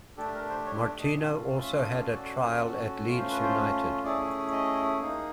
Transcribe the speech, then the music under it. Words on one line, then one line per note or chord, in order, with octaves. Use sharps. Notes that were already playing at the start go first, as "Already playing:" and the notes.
Martino also had a trial at Leeds United.
A3 D4 G4 A4
A#4
C5
C#5
D5
D#5
A3 C#4 F4 A4
E5
D#5
D5
C#4 F#4 A4 D5
A3 C#4 F4
C5
B4
C5
A3 C#4 E4 G#4 D5
D#5
A#3 D#4 G#4